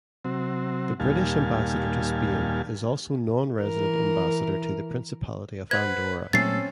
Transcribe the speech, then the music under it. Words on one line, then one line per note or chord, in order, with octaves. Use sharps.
The British ambassador to Spain is also non-resident ambassador to the Principality of Andorra.
C3 F#3 C4
D#2 A#2 G3 F5 G#5 A5
E3 A#4
B4 C5 F#5 G#6
A#2 F#3 A3 C4 C#4 A4 A6 C7